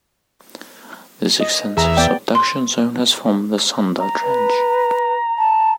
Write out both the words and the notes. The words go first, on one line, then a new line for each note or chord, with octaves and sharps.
This extensive subduction zone has formed the Sunda Trench.
D#5
E2 G#4 E5 A#5
B3 D5 G5
C6
A#5
B4
A5